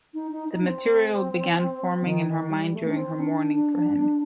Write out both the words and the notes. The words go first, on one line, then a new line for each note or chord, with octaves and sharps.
The material began forming in her mind during her mourning for him.
D#4
D#4
D#4
D4
C4
D#3
D#3
G3
A3
D4
C4
D4